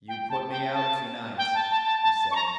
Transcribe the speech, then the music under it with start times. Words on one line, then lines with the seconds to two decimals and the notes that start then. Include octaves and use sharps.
"You put me out to-night," he said.
0.08 G5
0.30 A5
0.51 G5
0.74 A5
1.38 G5
1.55 A5
1.71 A5
1.86 A5
2.03 A5
2.19 A5
2.31 C#6
2.35 A#5